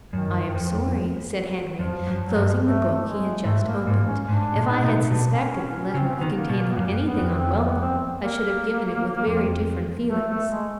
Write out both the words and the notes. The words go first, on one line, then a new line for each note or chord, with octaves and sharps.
"I am sorry," said Henry, closing the book he had just opened; "if I had suspected the letter of containing anything unwelcome, I should have given it with very different feelings."
F#2 D#3
F2
F2 F3
F#2
F#3
G2
A3
G#3
G#2 A3
A#3
G#2 A#3
C#4
G#2 D4
A#2
D#4
B2
B2 D4
C#4
C#4
C#4
C#3 C4
B3
D#3
A#3
B2
A#3
B3
F#2 A#3
B3
F2
C4
B3
C4
A#3
F2
A3
A3
G#3